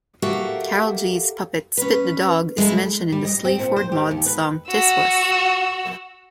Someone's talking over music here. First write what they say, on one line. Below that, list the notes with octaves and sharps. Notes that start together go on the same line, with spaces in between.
Carolgees' puppet Spit the Dog is mentioned in the Sleaford Mods song Tiswas.
F#4 G4 A4 A#4 E5 F5
C#4 B4
C#3 G#3 A3 E4 A4
G3
D#5
C4
A#2
C5
G4
D#2
B4
F#4 E6